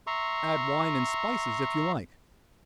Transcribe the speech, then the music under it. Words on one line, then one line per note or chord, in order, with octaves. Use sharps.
Add wine and spices if you like.
E5 A#5 C6 C#6